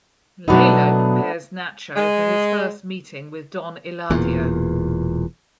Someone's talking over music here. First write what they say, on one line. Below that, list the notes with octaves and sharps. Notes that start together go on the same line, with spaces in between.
Lalo prepares Nacho for his first meeting with Don Eladio.
B2 F#3 A3 B3 D4 D#4
G#3
E1 E2 A#2